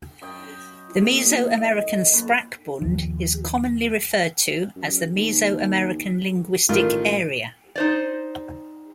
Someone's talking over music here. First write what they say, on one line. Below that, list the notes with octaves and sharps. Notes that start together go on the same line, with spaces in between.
The Mesoamerican sprachbund is commonly referred to as the Mesoamerican Linguistic Area.
F#2 D#5 G5
A2 D#3 A#3
D#5
F#2 A#3 B4
D#2 F3
F#2
D#2
A1 A2 D#3 F4
D#4 C5 D5